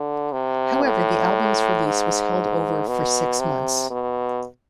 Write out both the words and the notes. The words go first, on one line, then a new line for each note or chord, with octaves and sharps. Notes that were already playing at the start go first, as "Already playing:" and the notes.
However, the album's release was held over for six months.
Already playing: D3
C3
A2
G#2
B2
C3
B2